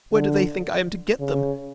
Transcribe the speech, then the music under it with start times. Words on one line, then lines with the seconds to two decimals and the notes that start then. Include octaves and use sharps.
Where do they think I am to get them?
0.12 D3
1.20 C#3